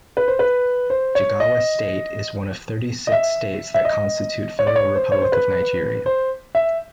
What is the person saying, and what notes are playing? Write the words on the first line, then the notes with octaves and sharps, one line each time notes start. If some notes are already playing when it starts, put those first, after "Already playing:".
Jigawa State is one of thirty-six states that constitute Federal Republic of Nigeria.
B4
C5
B4
C5
C#5
D#5
D#5
E5
E5
D#5
C#5
D5
C#5
C5
C#5
C5
B4
C5
E5